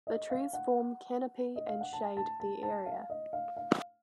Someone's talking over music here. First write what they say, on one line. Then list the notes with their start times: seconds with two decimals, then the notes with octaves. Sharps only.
The trees form canopy and shade the area.
0.07 D#5
0.30 F5
0.53 F#5
1.56 D#5
1.68 F5
1.81 F#5
1.93 A5
2.17 A5
2.40 A5
2.63 A5
2.86 F5
3.10 D#5
3.33 F5
3.57 F5